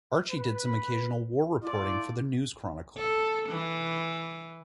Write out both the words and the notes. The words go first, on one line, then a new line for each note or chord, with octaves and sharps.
Archie did some occasional war reporting for the "News Chronicle".
B4
A3 E4 F4 D5
A4
E3